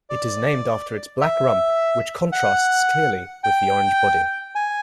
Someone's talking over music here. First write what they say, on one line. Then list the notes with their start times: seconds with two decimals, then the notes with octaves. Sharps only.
It is named after its black rump which contrast clearly with the orange body.
0.10 D5
1.21 E5
2.32 F#5
3.44 G5
4.55 G#5